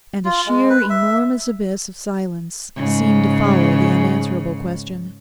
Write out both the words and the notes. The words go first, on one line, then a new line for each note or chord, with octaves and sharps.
And a sheer enormous abyss of silence seemed to follow the unanswerable question.
F4
G#3
B4
E5
G#2 C#3